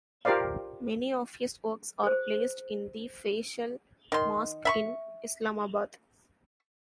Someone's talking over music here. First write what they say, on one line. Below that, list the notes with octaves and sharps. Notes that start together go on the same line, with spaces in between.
Many of his works are placed in the Faisal Mosque in Islamabad.
F4 G4 A#4 C5 D5 F5
G#4 C5
D#3 C6
E5 B5 C#6